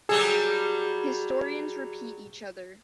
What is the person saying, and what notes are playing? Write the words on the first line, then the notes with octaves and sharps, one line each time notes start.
Historians repeat each other.
F#3 G3 G#4 A4